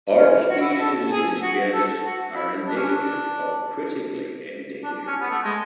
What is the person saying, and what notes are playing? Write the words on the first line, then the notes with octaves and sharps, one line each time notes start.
All species in this genus are endangered or critically endangered.
C#4
F#4
E4
F#4
A4
G#4
F#4
A4
F#4
E4
D4
C#4
D4
D4
C#4
B3
A3
G#3